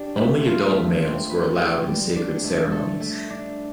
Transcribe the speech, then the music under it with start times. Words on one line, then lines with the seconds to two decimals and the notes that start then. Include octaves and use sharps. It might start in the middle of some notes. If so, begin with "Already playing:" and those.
Only adult males were allowed in sacred ceremonies.
Already playing: D4 G4
0.16 A3
0.45 F4
0.73 A3
1.02 C4
1.30 B4
1.59 G4
1.87 G3
2.16 D4
2.44 A3
2.72 A4
3.00 A3
3.30 D4